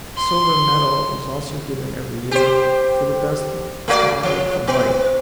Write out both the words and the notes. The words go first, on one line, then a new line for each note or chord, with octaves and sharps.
A silver medal is also given every year for the best model from life.
C6
G4 C5
A3 F#4 D5
F3
B3